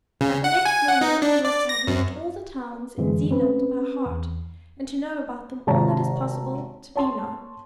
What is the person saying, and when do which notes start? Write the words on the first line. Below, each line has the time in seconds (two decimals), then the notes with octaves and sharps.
By the next morning he was to have learnt all the towns in Zealand by heart, and to know about them all that is possible to be known.
0.21 C#3
0.44 F#5
0.65 G#5
0.88 F#5
1.01 D#4
1.22 D4
1.45 D5
1.69 A#6
1.87 F#2
2.98 F#2 D3 E3 G#3
3.31 C4 C#4 B4
4.06 E2
5.67 G#1 C3 C#5 A5 A#5
6.96 C#5 A5 C6